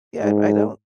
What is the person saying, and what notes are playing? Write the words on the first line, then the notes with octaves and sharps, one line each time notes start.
yeah, r I don't
G#2